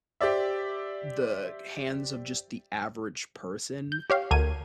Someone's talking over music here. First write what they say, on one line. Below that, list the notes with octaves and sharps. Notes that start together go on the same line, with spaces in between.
the hands of just the average person
G4 C5 D5 E5
G6
G4 C#5 F5
D2 A#4 G#6 D#7